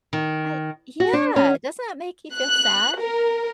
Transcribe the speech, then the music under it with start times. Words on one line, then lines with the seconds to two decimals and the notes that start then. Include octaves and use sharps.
I Yeah, doesn't that make you feel sad?
0.13 D#3
1.00 F#4
1.13 D4
1.36 C#4
2.35 F#6
2.99 A#4